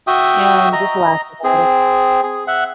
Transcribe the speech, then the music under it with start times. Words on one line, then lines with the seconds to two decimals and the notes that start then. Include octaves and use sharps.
and just laugh about it.
0.07 F#4 E5 G5 D#6
0.73 D#5 A#5
1.44 C4 G#4
2.23 G#4
2.48 E5 F#5